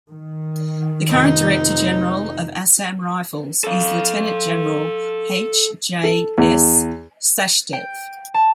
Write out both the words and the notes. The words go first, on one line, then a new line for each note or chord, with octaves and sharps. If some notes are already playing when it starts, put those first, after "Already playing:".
The current director general of Assam Rifles is Lieutenant Gen H J S Sachdev.
D#3
F1 D#4
A4 F5
A4
E2
G5
A5